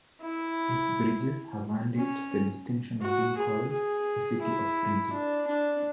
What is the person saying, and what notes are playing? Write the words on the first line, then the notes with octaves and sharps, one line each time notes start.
These bridges have earned it the distinction of being called the "City of Bridges".
E4
C#4
F#4
G#4
G#4
E4
D4
D4